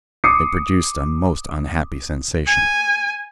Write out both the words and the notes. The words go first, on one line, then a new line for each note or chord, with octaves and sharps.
They produced a most unhappy sensation.
D6 D#6 C7 C#7
G#5